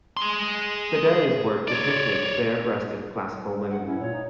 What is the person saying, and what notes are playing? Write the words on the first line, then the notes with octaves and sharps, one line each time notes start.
Fedeli's work depicted bare-breasted classical women.
G#4 C6
C#5 D5
F#5
C#4 E4
A#2 C#5
D#4